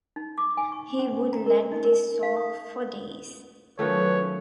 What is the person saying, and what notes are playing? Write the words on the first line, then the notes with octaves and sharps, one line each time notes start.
He would let this soak for days.
D#4
D6
G#5
C#6
C#4
A#5
A#4
D#4
A#4
F5
D#6
D#3 F3 F#3 A3 C#4 B4 C#5